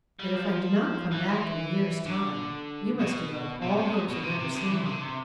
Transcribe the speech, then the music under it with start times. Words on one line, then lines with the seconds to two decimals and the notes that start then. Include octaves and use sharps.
But if I do not come back in a year's time, you must give up all hopes of ever seeing me.'
0.20 G3
0.35 F3
1.12 E3
1.29 E3
2.06 D3
3.00 B2
3.62 C3
3.77 C3
3.93 B2
4.08 B2
4.23 C3
4.39 C3
4.55 D3
4.70 E3
4.80 C3
4.86 D3
5.02 C3